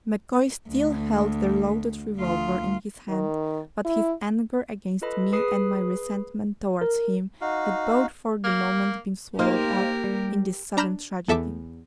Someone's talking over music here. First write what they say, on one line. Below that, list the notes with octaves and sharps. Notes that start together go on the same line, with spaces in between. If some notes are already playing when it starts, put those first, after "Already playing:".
MacCoy still held the loaded revolver in his hand, but his anger against me and my resentment towards him had both for the moment been swallowed up in this sudden tragedy.
D2
D2 F4
D#3
E4
F4 A4 B4 D#5 B5
G#4 B4 B5 D#6 C7
A#4
D#4 F#4 F5
A#3
A#3 D#4 G4 A#4 C5 F5
G3
D4 A#5 B5 F6 G6 E7
E2 A4 E5 A5 D6